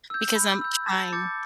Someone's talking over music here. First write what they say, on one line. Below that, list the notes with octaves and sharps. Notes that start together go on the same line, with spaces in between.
Because I'm trying
E6 G6
B5
E6 G6
A5 A6
D6 G6 A6 C#7